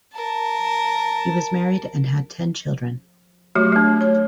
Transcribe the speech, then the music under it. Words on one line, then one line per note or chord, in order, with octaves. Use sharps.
He was married and had ten children.
A#4 A5
F#3 A3 F#4 G4
A3 D4
C#5